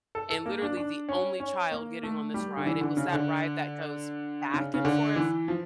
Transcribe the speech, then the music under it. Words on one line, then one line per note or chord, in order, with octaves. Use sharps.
and literally, the only child getting on this ride. It was that ride that goes back and forth,
A4
A4
A#3
D4
D4
C#4
C#4
A#3
A3
G3
D3
E3
D3
C#3
D3
C#3
C#3
D3
E3
F3